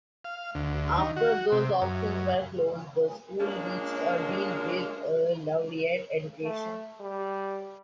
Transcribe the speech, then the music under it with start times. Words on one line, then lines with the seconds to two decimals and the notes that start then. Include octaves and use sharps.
After those options were closed, the school reached a deal with Laureate Education.
0.25 F5
0.55 D2
0.98 D#3
1.16 F#4
1.52 C3
1.82 F#2
3.40 A#2 G#3 A#3 C#4 D4
6.43 A3
7.00 G3